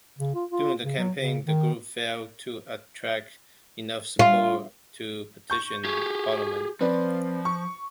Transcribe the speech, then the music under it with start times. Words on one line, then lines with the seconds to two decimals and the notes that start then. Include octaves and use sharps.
During the campaign, the group failed to attract enough support to petition parliament.
0.19 C#3
0.35 F4
0.51 F4
0.83 C#3
0.98 F#3
1.19 C#3
1.47 D#3
4.19 F4
5.50 C#6 G6
5.85 G4 G#4
6.81 F3 C4 B4 D5
7.45 C#6